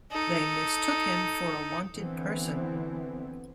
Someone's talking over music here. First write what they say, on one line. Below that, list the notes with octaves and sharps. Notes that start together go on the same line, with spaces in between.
They mistook him for a wanted person.
D#4 A4
D3 E3 B3 C4